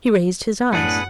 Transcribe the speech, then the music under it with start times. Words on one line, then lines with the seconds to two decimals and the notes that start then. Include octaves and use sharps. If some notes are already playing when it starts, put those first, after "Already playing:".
He raised his eyes.
0.73 F#2 A2 B3 D4 G#4 B4 F#5